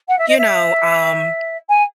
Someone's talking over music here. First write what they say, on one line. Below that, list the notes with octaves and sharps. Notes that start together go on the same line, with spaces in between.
you know, um,
F#5
E5
D#5
E5
G#5